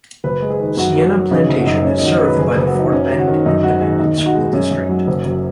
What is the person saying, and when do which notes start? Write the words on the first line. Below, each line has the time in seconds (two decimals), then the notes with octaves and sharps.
Sienna Plantation is served by the Fort Bend Independent School District.
0.24 F#1 B4
0.42 G#3
0.50 G#4
0.60 D#3
0.77 F#2 F#4
0.95 F#3
1.14 F#3
1.31 C#3 D#4
1.49 F#1
1.59 F#4
1.67 F#2 D#4
1.85 G#3 C#4
1.99 D#4
2.03 D#2 F#4
2.12 D#4
2.21 G#3 B4
2.38 F#1 G#4
2.52 B4
2.57 F#1
2.66 F#4
2.75 F#3 D#4
2.86 D#4
2.92 F#2 C#4
3.10 G#1
3.19 F#4
3.27 D#3
3.46 F#2 D#4
3.63 G#1 F#4
3.81 G#1 G#4
3.99 D#2 D#4
4.18 D#2 D#4
4.26 F#4
4.35 G#3
4.53 F#2 C#4
4.71 F#2
4.89 F#3
5.07 F#1
5.25 F#1